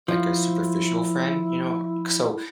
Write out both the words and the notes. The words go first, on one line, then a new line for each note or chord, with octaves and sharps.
like a superficial friend, you know? C So,
F3 E4